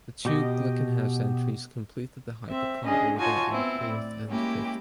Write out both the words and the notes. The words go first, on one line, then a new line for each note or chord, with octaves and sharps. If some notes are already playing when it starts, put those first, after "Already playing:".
The two Glickenhaus entries completed the Hypercar order in fourth and fifth.
B2 G4 D#5
C4 E5
C#4 D4 G#4 D#5
D#4 F4 F#4 C#5 G#5 A5
B3 C4 E4
A2 D5
G#3 A#3 C#4 E4 G4